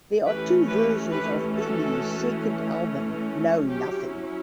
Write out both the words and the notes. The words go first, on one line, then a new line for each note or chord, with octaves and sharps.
There are two versions of Emmi's second album "No Nothing".
E3 A3 C#4 G4 B4
G4 B4
G4 B4
F#4 A4
F#3 C#4 E4 G4